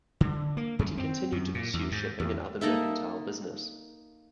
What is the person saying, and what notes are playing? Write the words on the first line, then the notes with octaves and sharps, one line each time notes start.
But he continued to pursue shipping and other mercantile business.
D3
A#3
F#2
C4
F#2
A#2
E2
G#2
E2
A#3 D#4 A4 E5